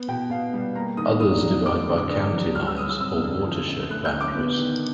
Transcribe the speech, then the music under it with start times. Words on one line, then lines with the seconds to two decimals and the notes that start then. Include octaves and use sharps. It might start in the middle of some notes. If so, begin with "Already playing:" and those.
Others divide by county lines or watershed boundaries.
Already playing: B3
0.08 B2 G5
0.30 B2 F5
0.54 G3
0.75 A#3 A#5
0.97 D#3 D#6
1.20 D4 D#6
1.42 F#3
1.65 A3 D6
1.88 D3
1.98 D6
2.10 D4 D#6
2.33 F#3
2.55 G3 F6
2.67 E6
2.78 G2 D#6
2.89 E6
3.00 C4 E6
3.23 D3
3.46 F3
3.68 F#2
3.90 A3 F#6
4.05 G6
4.13 D3
4.21 D6
4.35 B3
4.58 D#3